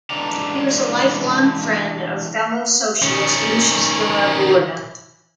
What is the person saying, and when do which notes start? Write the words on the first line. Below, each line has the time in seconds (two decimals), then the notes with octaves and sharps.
He was a life-long friend of fellow socialist Luis Villar Borda.
0.10 E3 G#3 D4 A4 D5 A#5
3.02 D#3 C#4